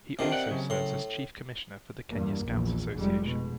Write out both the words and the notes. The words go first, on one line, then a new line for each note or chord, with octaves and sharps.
He also serves as Chief Commissioner for The Kenya Scouts Association.
C3 D#3 C4 D4 F4
D5 F#5 G5
C#3 F#3
A2 C6
E2 G2 A#3
A#1 E2
F1 G3 G#3
B2